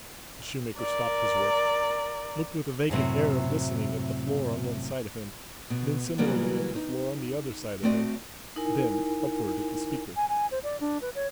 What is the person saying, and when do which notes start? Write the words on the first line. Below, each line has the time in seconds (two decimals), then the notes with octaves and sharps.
The shoemaker stopped his work; looked with a vacant air of listening, at the floor on one side of him; then similarly, at the floor on the other side of him; then, upward at the speaker.
0.80 A#4 D5
2.90 F#2 A2 C3 F#3
5.70 B2
6.18 C#3 E3 F#3 G3 A#3 B3
6.76 D#4
7.83 A3 C4 F#4 D5 D#5
8.56 D#4 E4 A#4 G#5
10.16 G#5
10.29 G#5
10.51 C5
10.63 D5
10.80 D4
11.01 B4
11.15 C#5